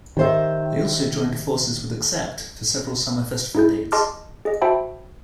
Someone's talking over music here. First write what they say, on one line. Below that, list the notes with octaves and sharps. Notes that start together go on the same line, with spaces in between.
They also joined forces with Accept for several summer festival dates.
D#3 G4 C5 E5
D#4 E4 G#4 G6
G#4 D#5 A5 C6 D6 F6
G#4 D#5
F#4 C5 E5 G5 A5 B5